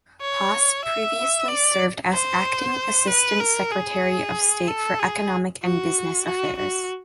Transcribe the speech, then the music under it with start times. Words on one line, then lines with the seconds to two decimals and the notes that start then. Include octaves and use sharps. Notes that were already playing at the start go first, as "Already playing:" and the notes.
Haas previously served as acting assistant secretary of state for economic and business affairs.
0.21 C#5
0.85 E5
1.48 D5
2.13 C5
3.08 B4
3.40 A#4
3.72 G#4
4.68 A4
5.00 G#4
5.63 F#4
6.26 F#4
6.58 F#4